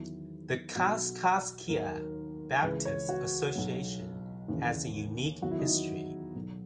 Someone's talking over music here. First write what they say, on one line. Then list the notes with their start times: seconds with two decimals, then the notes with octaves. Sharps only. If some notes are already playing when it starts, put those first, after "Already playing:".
The Kaskaskia Baptist Association has a unique history.
Already playing: E2 D#3 F#3 E4
0.75 B1 B2 F#3 F#4
1.69 D#2 D#3 F#3 A#4
2.62 C#2 C#3 E3 B4
2.85 C#5
3.09 F#4
3.55 B1 B2 F#3
4.48 D#2 C#3 E3
5.42 E2 D#3 F#3 F#4
5.51 E4
5.59 D#4
5.67 E4
6.35 B1 B2 F#3